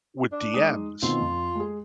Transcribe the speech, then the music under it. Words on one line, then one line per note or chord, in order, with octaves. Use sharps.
with DMs,
D4
G#3 D#4 D#6
B2 D#3 C4 F4
F2
G#3 G#4